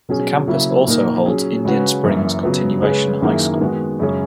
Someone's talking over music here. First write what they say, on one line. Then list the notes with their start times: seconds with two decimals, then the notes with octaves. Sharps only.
The campus also holds Indian Springs Continuation High School.
0.09 B2 F#3 C#4 G#4
0.47 C#3 F#3 A#3 E4
0.87 A#2 A#3 D#4 A#4
1.26 F#3 C#4 G#4
1.65 C#3 G#3 C#4 F#4 B4
2.04 F#2 E3 A#3
2.43 C#3 F#3 B3
2.82 C#3 G#3 C#4 G#4 B4
3.21 F#2 D#3 A#3 E4 G#4
3.61 D#3 G#3 B3 F#4
3.99 F#2 C#3 G#3 C#4 G#4